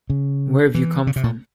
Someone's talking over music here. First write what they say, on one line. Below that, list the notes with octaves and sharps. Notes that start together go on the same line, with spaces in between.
Where have you come from?
C#3
E3
C#3
C3
A#2